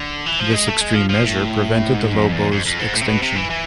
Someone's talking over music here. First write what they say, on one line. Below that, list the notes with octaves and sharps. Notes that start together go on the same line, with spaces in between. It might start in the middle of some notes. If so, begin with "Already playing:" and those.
This extreme measure prevented the lobos' extinction.
Already playing: D3
E3
F3
G#3
A3
G#3
F3
F3
A2
G#2
F2
E2
F2
F2
G#2
A2
C3
B2
C3
E3
E3